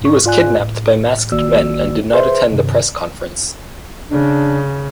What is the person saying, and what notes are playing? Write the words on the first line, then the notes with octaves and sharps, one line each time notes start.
He was kidnapped by masked men and did not attend the press conference.
G#2 C#6
G#2 F4 D5 G#5 F#6
A2
A1 D#3 A#3 F#4 D5 E6
G#4 B4 C5 E5 C6
G2 C3 D#3
C#3 D4